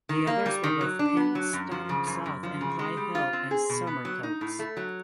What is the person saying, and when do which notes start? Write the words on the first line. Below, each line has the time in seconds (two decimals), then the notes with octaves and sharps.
The others were both Pinxton South and Pye Hill and Somercotes.
0.09 D#3
0.27 A#3
0.46 G3
0.64 D#3
0.81 F#3
0.99 D4
1.17 B3
1.35 F#3
1.53 F#2
1.71 F3
1.89 C#3
2.07 F#2
2.26 F#2
2.43 F3
2.61 C#3
2.79 G#3
2.97 G3
3.15 F4
3.33 C4
3.51 G#4
3.69 B2
3.87 B3
4.05 F#3
4.23 D#4
4.41 A2
4.59 A3
4.77 F#3